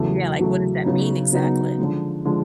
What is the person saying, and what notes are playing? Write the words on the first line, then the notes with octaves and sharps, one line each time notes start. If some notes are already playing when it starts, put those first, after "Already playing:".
Yeah, like what does that mean exactly?
Already playing: E2 C#3 F#3 A3
E2 C#3 F#3 A3
C#3 F#3 B3 D#4
C#3 F#3 B3 D#4
D3 F3 G#3
D3 F3 G#3